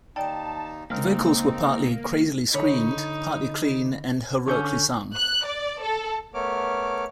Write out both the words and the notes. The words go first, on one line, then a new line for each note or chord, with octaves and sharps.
The vocals were partly "crazily screamed", partly clean and "heroically sung".
D#2 D#4 D5 G5 A5
C#3 G#3 A#3 C4 D#4
D3 D#4 C#5 B5
D3 C#4 C#6 G6
F#6
D5
A4
A3 B3 A#4 C#5 D6 F6